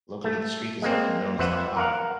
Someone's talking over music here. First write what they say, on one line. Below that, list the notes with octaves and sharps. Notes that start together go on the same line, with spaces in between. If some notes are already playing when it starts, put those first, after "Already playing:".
Locally the street is often known as "The High".
A3
G#3 A#3 C4
F2 B4 C5 E5 F#5
A#4 F5 F#5